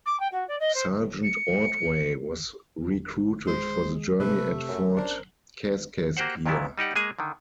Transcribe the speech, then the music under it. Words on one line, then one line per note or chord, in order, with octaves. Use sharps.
Sergeant Ordway was recruited for the journey at Fort Kaskaskia.
D6
G5
F#4
D5
D#5
C5
C#7
G#3 C5
C3 A3 B4
F#2
C#4 D4 A#4 C5
A#3 F#4 G4 C5 F#5
F2 A#2 F#3 G3 B3 E4
G3 D#4 G4 F#5
G#3 A#3 G#4 G#5
D3 D#3